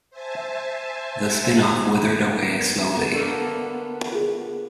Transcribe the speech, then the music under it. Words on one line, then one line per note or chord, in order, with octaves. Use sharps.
The spin-off withered away slowly.
C5 E5 G#5 A5
B3
D3 A3 A#3
F4 G#4